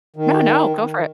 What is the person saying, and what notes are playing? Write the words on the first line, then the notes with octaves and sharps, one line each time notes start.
No, no, go for it.
D#3